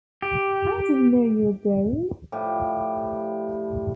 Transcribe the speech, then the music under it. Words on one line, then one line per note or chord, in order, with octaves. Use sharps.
I didn't know you were gone.
G4
A2 F3 G3 G4